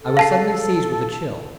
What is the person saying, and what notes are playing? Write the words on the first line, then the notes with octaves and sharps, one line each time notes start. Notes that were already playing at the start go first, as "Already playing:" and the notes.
I was suddenly seized with a chill.
A4
F5 A5 C7